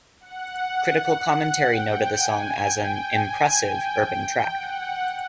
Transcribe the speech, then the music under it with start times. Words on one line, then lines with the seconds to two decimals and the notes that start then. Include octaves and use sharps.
Critical commentary noted the song as an "impressive" urban track.
0.21 F#5
1.65 G5
2.13 G#5
2.60 G5
3.08 G#5
3.56 G5
4.04 G5
4.52 F#5